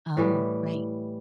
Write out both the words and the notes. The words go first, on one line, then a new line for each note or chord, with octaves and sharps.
Oh, right.
A2 E3 G3